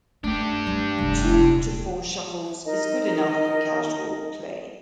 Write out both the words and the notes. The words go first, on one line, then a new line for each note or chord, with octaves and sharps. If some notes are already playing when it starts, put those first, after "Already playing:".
Two to four shuffles is good enough for casual play.
A3 D4 G4
G3
F1 G#3
D#1
D#4 A#4 D#5